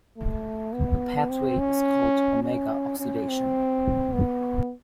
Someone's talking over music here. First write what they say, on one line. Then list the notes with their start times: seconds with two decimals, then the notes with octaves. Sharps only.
The pathway is called omega oxidation.
0.18 A3
0.74 B3
1.30 C4
1.59 C#4
2.43 C#4
2.99 C#4
3.29 C4
4.13 B3